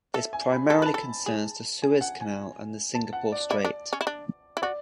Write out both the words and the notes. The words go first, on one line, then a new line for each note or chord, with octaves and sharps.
This primarily concerns the Suez Canal and the Singapore Strait.
A4 E5
G#5
B5
A4 A5
B5
B4 A5
A4
G#4
G#5
F#5
G#5
A5
F#5
D5
E4 D5
D4
C#4
E4
D4
E4
F#4 D5